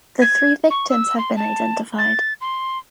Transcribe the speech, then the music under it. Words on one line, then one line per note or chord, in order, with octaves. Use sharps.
The three victims have been identified.
G#6
C#6
E6
C6
A5
A6
C6